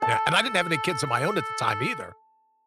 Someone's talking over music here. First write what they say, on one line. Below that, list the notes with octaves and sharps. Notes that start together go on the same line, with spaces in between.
Yeah, and I didn't have any kids of my own at the time either,
A4 A5